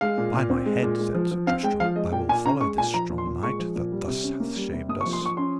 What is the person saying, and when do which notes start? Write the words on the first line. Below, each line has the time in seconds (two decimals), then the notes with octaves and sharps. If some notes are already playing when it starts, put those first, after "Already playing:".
By my head, said Sir Tristram, I will follow this strong knight that thus hath shamed us.
0.01 G#3 F5
0.18 A#2
0.34 A#2
0.50 C4
0.66 G#3
0.83 A#2
0.99 G#3
1.15 F3
1.31 F3
1.47 C4 F5
1.63 G#3 G5
1.80 F3 F5
1.96 G#3 D#5
2.12 A#2 G5
2.29 A#2 G#5
2.45 C#4 A#5
2.61 G#3 C#6
2.78 A#2 G#5
2.94 F3 A#5
3.10 A#2
3.18 C6
3.26 A#2
3.42 G#3 C#6
3.59 F3
3.75 A#2
3.92 G3
4.08 C3
4.24 C#4
4.40 A#3
4.56 G3
4.73 C3
4.89 A#3 D#6
5.01 C#6
5.06 F3
5.13 C6
5.21 F3 C#6
5.37 C#4 C6